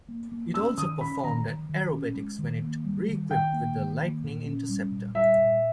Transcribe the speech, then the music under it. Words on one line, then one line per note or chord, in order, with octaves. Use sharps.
It also performed aerobatics when it re-equipped with the Lightning interceptor.
A#3
A#3
C#4 E6
D#3 D#6
C#4 B5
D#3 A#5
D#3
D#3
C#4
G#3
D#3
A#3
G3
D#3
D#3 G5
A#3
D#3
A#3
A#2
C#4
G3
A#2
G3 E5
A#2